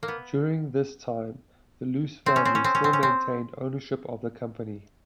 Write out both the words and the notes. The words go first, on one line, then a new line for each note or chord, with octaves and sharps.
During this time, the Luce family still maintained ownership of the company.
A#3
B3
C4
C#4
C4
C#4
C4
C#4
C4
C#4
C4